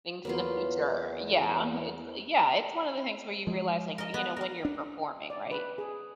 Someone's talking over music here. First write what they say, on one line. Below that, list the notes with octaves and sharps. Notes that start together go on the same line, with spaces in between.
things in the future. Yeah. It's yeah, it's one of the things where you realize, like, you know, when you're performing, right,
E2 F#3 A#3 F4 A#4 B4
F3 G#3
A#4 D#5
B3
A#4 F5
D4
D5
B4
G#4